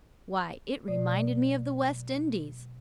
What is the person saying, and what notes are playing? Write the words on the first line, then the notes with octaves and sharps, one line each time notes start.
Why, it reminded me of the West Indies.
B2 F#3 A3 D5